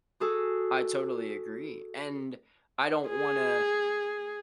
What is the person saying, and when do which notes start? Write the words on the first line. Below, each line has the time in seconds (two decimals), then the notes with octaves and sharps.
I totally agree, and I don't wanna
0.20 F#4 G#4 A4
3.07 G#4